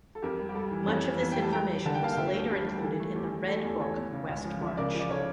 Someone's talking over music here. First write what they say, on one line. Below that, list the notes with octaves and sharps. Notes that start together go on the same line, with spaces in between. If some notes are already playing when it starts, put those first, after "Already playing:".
Much of this information was later included in the "Red Book of Westmarch".
A4
F2 G4 A#4
G3
G4
G3 A4
E3
F2 A4 C#5
E3
F2
G3 G5
A5
G3 G5 A#5
G3
D3 A5
G5
A#3 F5 A5
F5
D3 E5 G5
D2
G3
G3
E3 A4
A3
E2 G4
A3
A3 A4
G4
E2 A4
E2 A4 C#5
E2
C#3
C#2
F3
F3
E5
C#3 A#4 D5
F3
D5
C#3 A4 C#5